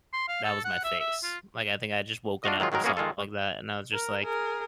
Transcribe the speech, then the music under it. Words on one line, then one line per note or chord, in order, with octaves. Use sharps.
that was my face, like, I think I had just woken up or something like that, and I was just, like,
C6
F5
A4
F#5
E5
E5
F4
D4 F4 F#4 D#5
D#3 F#3 G#3 F4
D#3 F#3 G#3 A#4
A#3 B3 C#4 F#4 G#4 A#4
D#3 G#3 F4 A4
A#4
G#4 A#4